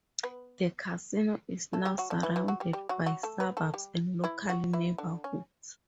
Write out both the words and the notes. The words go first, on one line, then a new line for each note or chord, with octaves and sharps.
The casino is now surrounded by suburbs and local neighbourhoods.
B3 B4
A3 A4
G3 G4
F#3 F#4
D3 D4
E3 E4
E3 E4
F#3 F#4
G3 G4
G3 G4
F#3 F#4
F#3 F#4
A3 A4
B3 B4
A3 A4
G3 G4
E3 E4
F#3 F#4
E3 E4
D3 D4
C#4